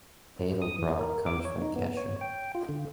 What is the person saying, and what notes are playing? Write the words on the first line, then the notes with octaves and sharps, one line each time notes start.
Edelbrock comes from Gescher.
D#6
E3
A#4
D6
C#5
D#4
B3
C#5
G5
F4
D3